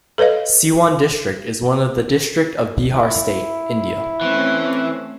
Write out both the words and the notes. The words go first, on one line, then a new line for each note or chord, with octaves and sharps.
Siwan district is one of the district of Bihar state, India.
A4 B4 C#5 D#5 F5
E4
E3 A3 C4 C#4